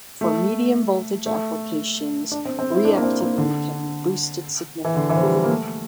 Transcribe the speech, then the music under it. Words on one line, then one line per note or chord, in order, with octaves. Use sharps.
For medium voltage applications, reactivity can be boosted significantly.
A3
A3
D4
C4
C4
E4
D4
A#3
C4
A#3
D3
E3
D3
E3
F3
G3
G3
A#3
A3